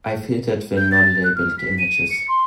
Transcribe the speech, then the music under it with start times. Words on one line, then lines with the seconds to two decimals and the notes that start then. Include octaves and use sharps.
I filtered the non labelled images.
0.77 G6
0.92 A6
1.24 F#6
1.36 F6
1.58 B6
1.78 D#7
2.10 C#7
2.28 C6